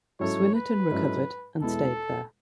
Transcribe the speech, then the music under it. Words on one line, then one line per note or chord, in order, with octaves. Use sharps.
Swinnerton recovered, and stayed there.
G#2 F#3 C#4 E4 A4 C#5
B4
G#2 F#3 C#4 E4 A4
E2 B2 G#3 B3 E4 A4